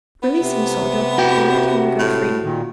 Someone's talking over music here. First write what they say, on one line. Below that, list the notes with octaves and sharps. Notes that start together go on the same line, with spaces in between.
"Release him, Soldier, and let him go free."
B3
C3
F#4 G5
A2
A#2 D#3